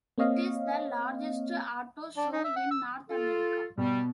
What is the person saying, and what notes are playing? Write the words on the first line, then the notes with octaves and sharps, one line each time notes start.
It is the largest auto show in North America.
A#3 C4 C#5 D#5 F5
D4
D#4
E5
F#5
E6
F4 A4
B2 G3